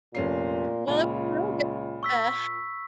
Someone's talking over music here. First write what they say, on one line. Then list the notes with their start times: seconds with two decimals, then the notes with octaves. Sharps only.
Well, it was really good, uh,
0.15 F1 A#2 C#4 C7
0.88 C#2 A#2 F4 B5
2.03 C#6 E6 B6